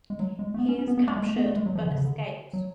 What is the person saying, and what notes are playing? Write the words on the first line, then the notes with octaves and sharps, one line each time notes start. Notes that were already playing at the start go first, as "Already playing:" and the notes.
He is captured but escapes.
G#3
F#3
G#3
A3
B3
C#4
C#4
B3
B3
A3
G#3
A3
B3
A3
G#3
F#3
F3
D3
C#3
D3
F#3